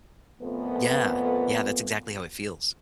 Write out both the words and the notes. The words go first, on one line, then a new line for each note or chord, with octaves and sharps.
Yeah. Yeah, that's exactly how it feels.
F2 A#2 A3 B3